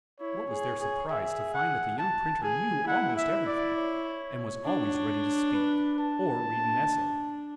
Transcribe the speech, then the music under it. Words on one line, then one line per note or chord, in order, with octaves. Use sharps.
What was their surprise to find that the young printer knew almost every thing, and was always ready to speak, or read an essay.
E4 C#5
G#4
G#4
G#4 E5
F#5
A5
G#4 G#5
E4 F#5
E5
D5
C#5
D4
B4
A5
D4